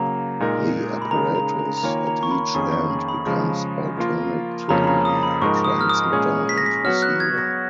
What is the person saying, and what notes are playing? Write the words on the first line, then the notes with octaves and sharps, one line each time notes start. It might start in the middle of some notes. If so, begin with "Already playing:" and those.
The apparatus at each end becomes alternately transmitter and receiver.
Already playing: C#3 F#3 A#3 A#5
A#2 G#3 D#4 A#4
B5
C#3 G#3 D#4 A#4 A#5
A#5
A#5
A#5
D#3 A#3 F4 A#4 C#5 G#5
A#5
C#6
B5
F2 D#3 A#3 C#4 G#4 C#6
C#6
B5
B5
C#3 F3 G#3
F3 A#3 F4 A#4
F2 C#3 F3 A#3 C#4 A#5
B5
A#5
D#6
B5
G#2 F3 G#3 D#4 A#4 C#6
D#6
F6
D#6
A#2 G#3 C#4 G#4 C#5
B6
A#6
B6
F#3 B3 F#4 C#5 F6
F#6
G#6
A#6